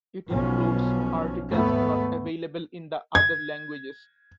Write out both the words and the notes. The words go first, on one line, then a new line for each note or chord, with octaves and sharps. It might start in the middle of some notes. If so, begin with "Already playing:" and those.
It includes articles not available in the other languages.
B1 B2 F3 C#4
D#2 G#2 A3 B3
G#6